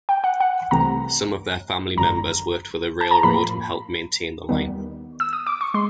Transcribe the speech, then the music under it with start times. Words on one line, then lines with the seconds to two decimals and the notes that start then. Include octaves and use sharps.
Some of their family members worked for the railroad and helped maintain the line.
0.09 G5
0.24 F#5
0.41 F#5
0.71 C2 C3 E3 A3 C4 A#5
1.97 G#1 F#2 D3 A#5
3.01 A5
3.11 A#5
3.23 A2 F3 A#3 B5
4.49 D#2 D#3 G3 B3
5.20 E6
5.33 D#6
5.47 D6
5.61 C#6
5.74 G#3 C6